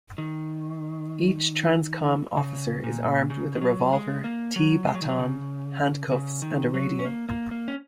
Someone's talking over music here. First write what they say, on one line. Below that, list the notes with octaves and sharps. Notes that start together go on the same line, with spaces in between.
Each TransCom Officer is armed with a Revolver, T-baton, Handcuffs and a Radio.
D#3
C#3
A#2
C#3
D#3
F#3
G#3
A#3
F#3
G#3
F#3
D#3
F#3
C#3
C#3
D#3
F#3
C#4
A#3
A#3
A#3
C#4